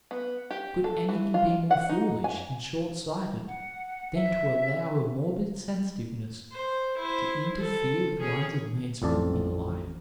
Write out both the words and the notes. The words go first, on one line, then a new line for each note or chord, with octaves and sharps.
Could anything be more foolish and short-sighted than to allow a morbid sensitiveness to interfere with one's advancement in life?
B3
G4
A4
E3
F4
F#5
D#4
G#5
F#5
E5
C5
E4 C5
A4
C#4 G#4
A1 F2 D5 A5